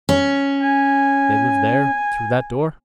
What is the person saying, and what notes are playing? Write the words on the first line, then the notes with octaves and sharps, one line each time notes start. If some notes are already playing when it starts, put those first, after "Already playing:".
"They live there, through that door?"
C#4
G#5